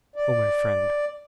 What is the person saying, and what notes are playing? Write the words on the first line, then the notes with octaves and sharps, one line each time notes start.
Oh, my friend!
D5